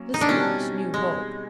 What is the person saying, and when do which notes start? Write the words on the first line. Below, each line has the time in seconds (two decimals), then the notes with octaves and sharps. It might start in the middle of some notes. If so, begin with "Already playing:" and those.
This gave us new hope.
Already playing: F#3 A#3 C#4
0.14 D#4
0.21 D4
0.28 B2 G3 C4 C#4 D#4
0.94 G#3